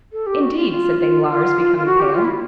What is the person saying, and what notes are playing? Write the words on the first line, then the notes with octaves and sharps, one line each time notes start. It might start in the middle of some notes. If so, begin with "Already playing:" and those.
"Indeed?" said Danglars, becoming pale.
A4
G4
F#4
F4
F4
F4
F4
F4
F#4
G4
F4
E4